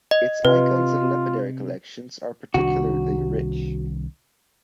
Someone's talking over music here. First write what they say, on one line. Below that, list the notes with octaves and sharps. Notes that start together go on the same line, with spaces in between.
Its icons and lapidary collections are particularly rich.
D#5
C3 F4 B4
C2 D#3 D4 F#4